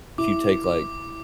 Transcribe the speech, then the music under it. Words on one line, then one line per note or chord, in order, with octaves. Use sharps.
if you take, like
E4 D6
D6